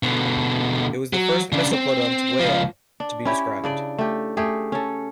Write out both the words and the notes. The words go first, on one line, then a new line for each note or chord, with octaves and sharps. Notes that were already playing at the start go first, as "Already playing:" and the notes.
It was the first mesoplodont whale to be described.
B2 D3
F#3
C#3 D4
C4
C#2 F3
D4
C#4 E4 G4
C#3 D4 D5
A3 G4
A3 G4 G#4
C#4 A4